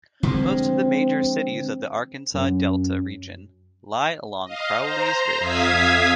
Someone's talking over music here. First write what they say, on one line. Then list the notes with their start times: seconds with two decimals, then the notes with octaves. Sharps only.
Most of the major cities of the Arkansas Delta region lie along Crowley's Ridge.
0.23 D3 F3 G#3 C4
2.34 F#2
4.45 D#5 F5
4.78 C5 A#5
5.39 F2 E5 F5 D#6 G#6 B6